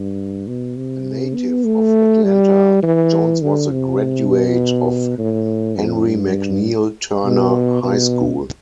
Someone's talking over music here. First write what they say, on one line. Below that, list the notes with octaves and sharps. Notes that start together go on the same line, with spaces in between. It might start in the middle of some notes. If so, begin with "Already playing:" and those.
A native of Atlanta, Jones was a graduate of Henry McNeal Turner High School.
Already playing: G2
B2
C3
B3
A3
G3
E3
D3
C3
B2
A2
F2
G2
B2
B2